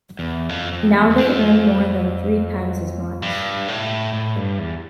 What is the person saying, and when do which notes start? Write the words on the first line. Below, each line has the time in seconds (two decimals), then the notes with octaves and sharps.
Now they earn more than three times as much.
0.19 E2
0.49 F2
0.73 F2
0.95 E2
1.10 E2
1.18 F2
3.22 G2
3.68 A2
4.13 A2
4.36 G2
4.59 E2